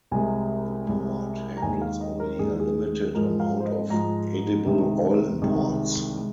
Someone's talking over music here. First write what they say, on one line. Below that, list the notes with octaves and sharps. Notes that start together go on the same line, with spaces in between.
The port handles only a limited amount of edible oil imports.
C2 C3 G#3 G#5
C2 C3 G#3
A#5
D#2 D#3 G#3 G#5
F5
D#5
A#4
D#2 D#3 G#3 G#4
F4
G#4
G#2 F3 G#3 A#4
F5
C5
D#5
G#2 F3 G#3 A#5
C2 C3 D#3 G#3
C2 C3 D#3 G#3
G#3